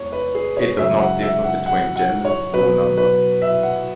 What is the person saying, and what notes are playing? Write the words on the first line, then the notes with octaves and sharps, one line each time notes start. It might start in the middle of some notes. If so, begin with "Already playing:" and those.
It does not differ between genders nor number.
Already playing: E2 G#3 C#5
B4
G#4
C#5
F#2 C#3 G#3 E5
F#5
E5
F#5
F#5
F#5
C#5
B2 F#3 B4
B4
E5
F#5